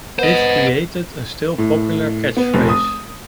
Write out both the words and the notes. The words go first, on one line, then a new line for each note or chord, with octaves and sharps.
This created a still-popular catchphrase.
B3 C5 D#5
A2
B3
F1
D#6